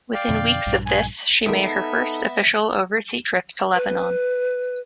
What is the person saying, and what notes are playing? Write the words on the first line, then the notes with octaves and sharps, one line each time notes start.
Within weeks of this she made her first official overseas trip to Lebanon.
D5 F5 G5
F2 B2 D3
A#1 G2
G#5
D#3 G#3 B3 D#4 A4 E5
B4